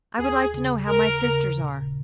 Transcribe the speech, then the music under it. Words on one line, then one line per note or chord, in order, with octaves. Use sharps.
I would like to know how my sisters are.
D#2 G#4
C#3
D#2 A#4
C#3
A#2